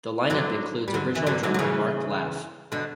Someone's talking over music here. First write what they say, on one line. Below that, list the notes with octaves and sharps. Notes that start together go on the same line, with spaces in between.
The line-up includes original drummer Mark Laff.
D3 F#3
G3
D3 F#3
E3
D3 F#3
D3 F#3
F#3
C#3 E3
B2 D3